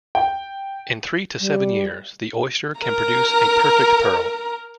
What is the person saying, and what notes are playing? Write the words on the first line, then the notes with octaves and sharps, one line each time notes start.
In three to seven years, the oyster can produce a perfect pearl.
G5
G3
A#4 A#5